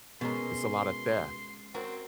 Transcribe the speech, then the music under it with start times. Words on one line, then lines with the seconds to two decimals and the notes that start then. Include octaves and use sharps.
It's a lot of theft.
0.21 B2 G#3 C#4 A#4 C6
1.74 C4 F#4 A#4 C#5